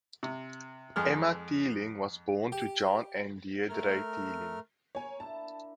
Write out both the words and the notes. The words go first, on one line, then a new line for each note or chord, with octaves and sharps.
Emma Teeling was born to John and Deirdre Teeling.
C3
F2 G#3 F6
G4
A3 A#4 F6
A#4 C#5 G#5
D4 E4 E5 A5